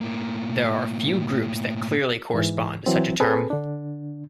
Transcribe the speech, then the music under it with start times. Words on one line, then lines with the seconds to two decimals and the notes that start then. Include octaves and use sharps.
There are few groups that clearly correspond to such a term.
0.01 A2 A#3
2.34 G#2 E3
2.86 E3 F#3 C4
3.20 C4 G#4 A4 B4
3.50 D3 D4